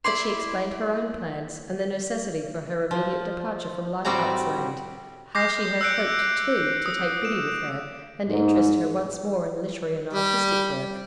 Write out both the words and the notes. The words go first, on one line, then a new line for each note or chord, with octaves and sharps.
But she explained her own plans and the necessity for her immediate departure from Leichardt's Land--how she had hoped, too, to take Biddy with her and interest her once more in literary and artistic work.
E4 D5 C6
F3
A2 G3 C4 F#4 D5 A#5
D6 G6 A#6 C7
E6 F#6 G6 C#7 D7
D#6
D7 E7
G#2
G3